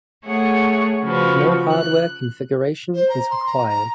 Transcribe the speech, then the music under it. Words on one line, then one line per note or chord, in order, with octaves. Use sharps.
No hardware configuration is required.
A3 G#4 C#5 F#5
C#3 F3 F#4 B4
F#6
C5
A#5
C6
A#5
A#5